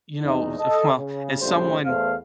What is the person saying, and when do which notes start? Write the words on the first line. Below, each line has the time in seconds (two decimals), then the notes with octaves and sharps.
you know, who's well, as someone
0.23 E2 D#4
0.58 A4 D#5
0.95 C#3
1.40 A#1 C#3 G3 A3 C5
1.84 E2 A3 C5 F5